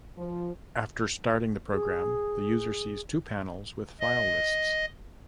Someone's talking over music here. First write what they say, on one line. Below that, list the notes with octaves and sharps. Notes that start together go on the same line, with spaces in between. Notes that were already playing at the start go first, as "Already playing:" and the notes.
After starting the program the user sees two panels with file lists.
F3
G#4
D#5